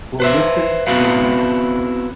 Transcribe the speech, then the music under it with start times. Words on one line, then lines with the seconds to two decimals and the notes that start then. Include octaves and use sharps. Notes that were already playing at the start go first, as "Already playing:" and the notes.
will listen to
0.20 B4 C5 E5
0.87 B3 C4 E4 F#4 B4 F5